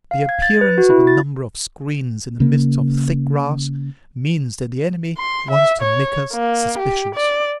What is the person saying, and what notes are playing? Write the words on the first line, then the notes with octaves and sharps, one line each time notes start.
The appearance of a number of screens in the midst of thick grass means that the enemy wants to make us suspicious.
F5
G#6
A6
B4
F#4
E4
A6
C#3 A#3
C6
E5
C#5
A#3
G4
D5